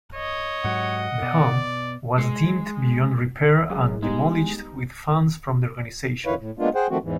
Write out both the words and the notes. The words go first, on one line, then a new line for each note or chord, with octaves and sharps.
The home was deemed beyond repair and demolished with funds from the organization.
C#5 D#5
G#2 F#3 F#5
B2 D5
G#3 C7 C#7
F#2 G#3
G3 G#3 B3 D#4
F2 D#3 E4 B4 C#5 F5
A2
G#3 A#3 B3 D4 F4
G#4 C5 F#5 G5
D#3 F3 A3 C4 F#4
E2 G#2 E3